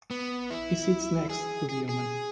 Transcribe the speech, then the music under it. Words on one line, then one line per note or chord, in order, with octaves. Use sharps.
He sits next to the woman.
B3
E4
G#4
G#4
G#4